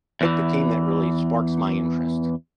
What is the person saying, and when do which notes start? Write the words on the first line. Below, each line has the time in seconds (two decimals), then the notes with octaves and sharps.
pick the team that really sparks my interest."
0.21 E2 E3